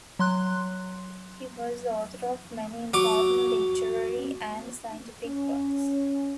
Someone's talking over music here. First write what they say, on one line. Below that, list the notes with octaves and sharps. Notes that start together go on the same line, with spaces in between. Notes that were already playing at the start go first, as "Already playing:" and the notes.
He was the author of many important literary and scientific works.
F#3 C6 F#6
F#3 D6
C#4